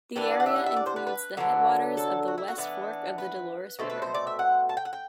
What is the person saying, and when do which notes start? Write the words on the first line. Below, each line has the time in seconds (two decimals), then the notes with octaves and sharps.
The area includes the headwaters of the west fork of the Dolores River.
0.16 E3 G3 B3 D4 D5
0.40 F#5
0.46 E5
0.56 F#5
0.66 E5
0.76 D5
0.86 C5
0.96 B4
1.07 B4
1.37 D3 F#3 B3 D4
1.97 A4
2.28 F#4
2.38 E4
2.48 F#4
2.58 E3 B3 D4
3.18 B4
3.79 B2 A3 C4
3.90 B4
4.02 C5
4.14 D5
4.27 E5
4.39 F#5
4.69 A5
4.77 G5
4.85 F#5
4.93 G5